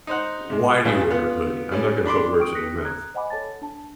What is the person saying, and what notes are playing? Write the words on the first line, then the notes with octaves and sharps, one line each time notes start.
why do you wear a hoodie? I'm not gonna put words in your mouth,
D#4 C5 F#5
C3 G#3
B1 C#3 E3 G3
B3 F4
G3 C#4
D4 B5 C6 D6
F#4 G5 C#6 D#6 D7
D#6 F#6 A#6 B6 C#7
A#5 F#6 G#6
C5 D#5 F#5 G#5 B5 D6
A4 C#5 A5 A6
D4 A5